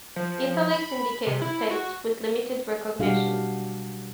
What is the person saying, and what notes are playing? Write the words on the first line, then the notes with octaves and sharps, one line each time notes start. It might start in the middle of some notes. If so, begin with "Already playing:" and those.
"Italics" indicate states with limited recognition.
F3
B5
C3
E4
F#4
B2 G3 D4 F#4 G4 F5